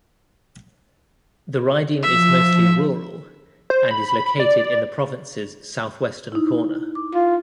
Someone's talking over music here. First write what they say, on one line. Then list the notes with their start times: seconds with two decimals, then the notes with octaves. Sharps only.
The riding is mostly rural, and is located in the province's southwestern corner.
2.03 F3 E5
3.70 C5
3.91 B5
4.40 D5
6.32 D#4 E4
6.95 D6
7.15 F4